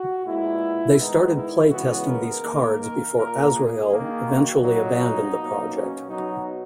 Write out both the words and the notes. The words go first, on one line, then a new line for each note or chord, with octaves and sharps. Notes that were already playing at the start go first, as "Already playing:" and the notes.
They started playtesting these cards before Azrael eventually abandoned the project.
Already playing: F#4
A#2 G#3 B3 E4
D#3 G#3 B3 D#4
E4
C#3 E3 G#3 B3 F#4
A#4
D#3 A#3
A#4
A#2 A#3 A#4
G#4
D#3 A#3
F#4
A#2 F#3 A#3 D#4
B2 F#3 A#3
C#4
B2 F#3 B3 D#4